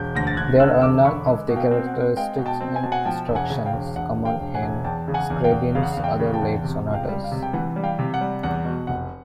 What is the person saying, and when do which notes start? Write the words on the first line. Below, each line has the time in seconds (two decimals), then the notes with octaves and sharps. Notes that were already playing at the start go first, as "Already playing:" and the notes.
There are none of the characteristic instructions common in Scriabin's other late sonatas.
Already playing: E1 G6
0.15 D2 A#6
0.27 A6
0.37 D2 F#6 G#6
0.60 D3 E6 F#6
0.82 E1 D6 E6
1.05 D3 B5 C#6
1.27 G#3
1.49 B2
1.56 F5 G5
1.71 C4
1.86 F#5
1.94 C4
2.16 G#3 F5 G5
2.38 B2
2.46 G5 A5
2.61 C4
2.76 G#5
2.83 B2 A5
2.92 F#5 G#5
3.05 F3 G5 A5
3.28 E1
3.35 F#5 G#5
3.50 C#3
3.66 F5 G5
3.73 E1
3.96 E1 F#5
4.17 E1
4.25 F5 G5
4.40 E1
4.55 F#5 G#5
4.62 E1
4.84 E2 G5 A5
5.08 C#3
5.14 F#5 G#5
5.30 E2
5.44 F5 G5
5.52 E2
5.75 C#3 F5
5.83 F#5
5.92 F5
5.97 E2
6.04 F5 G5
6.20 C#3
6.34 G5 A5
6.42 E2
6.64 C3
6.87 C#2
6.94 F5 G5
7.09 G3
7.24 F5
7.32 C3
7.43 G5
7.53 E3 F#5
7.76 G3
7.83 F5 G5
7.99 C3
8.14 F#5
8.21 G3
8.43 E2 F#5
8.65 B2
8.87 F1 F#5